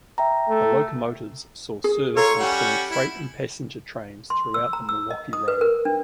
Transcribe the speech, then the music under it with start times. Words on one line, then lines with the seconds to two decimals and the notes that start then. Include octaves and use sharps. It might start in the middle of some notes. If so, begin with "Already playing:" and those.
The locomotives saw service in pulling freight and passenger trains throughout the Milwaukee Road.
0.18 E5 G5 A#5
0.49 A3
1.84 G#4
2.17 F4 A4 C#5 A#5
2.39 G3 C#4 F#5
2.90 E4
4.30 C6
4.54 E6
4.73 A#5
4.89 E6
5.11 D#5
5.33 D#6
5.48 B4
5.61 A#4
5.85 D4